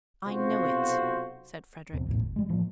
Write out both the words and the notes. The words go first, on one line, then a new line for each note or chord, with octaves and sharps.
"I know it," said Frederick.
B1 C3 C4 F4 F#4 C5
D1 E2 B2 C4
B1 E2 A2
G1
G3 G#3
A2 E3 F3 A#3